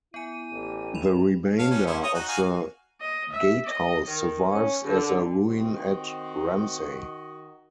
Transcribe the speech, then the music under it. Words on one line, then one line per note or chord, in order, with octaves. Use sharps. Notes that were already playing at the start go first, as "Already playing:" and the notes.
The remainder of the gatehouse survives as a ruin at Ramsey.
B3 E4 G#5 D#7
A1 G4
B5 F7
C#5 F5 A5
G3 C#4
C#4 E4 C5
C#5 D#5 D#6
D#4 F#4
F#4 F5 G#5
D#5
E5
D#5
D#3
C#4
D3
D#3 C4 F#4 D#5